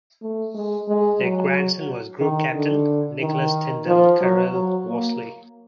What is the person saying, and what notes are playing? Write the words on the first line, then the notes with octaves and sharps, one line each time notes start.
Their grandson was Group Captain Nicolas Tindal-Carill-Worsley.
A3
G#3
G#3
F#3
D#3
D3
D#3
F3
F#3
F#3
A#3